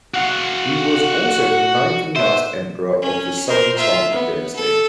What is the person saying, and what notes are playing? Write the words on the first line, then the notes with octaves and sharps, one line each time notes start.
He was also the ninth and last emperor of the Southern Song dynasty.
F#4 F5 F#5
B3 C5 E5
C#4
A#4 C5
F4 E5
B3
A4